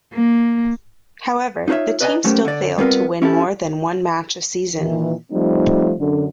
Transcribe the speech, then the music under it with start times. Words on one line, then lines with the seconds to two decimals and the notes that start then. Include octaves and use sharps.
However, the team still failed to win more than one match a season.
0.13 A#3
1.68 D#4 F4 B4 C#5 E5
2.01 B4 D5 D#5 F#5 G#5 A#5
2.24 F#3 A3 C#4 G4 A#4 C5
2.45 D3 D5
2.78 G3 B3 C4 F4 G#4 A#4
3.22 C#4 E4 G4 A4
4.79 A#2 D#3 E3
5.32 F3 G3 A3 C4 D#4
5.98 F#2 D3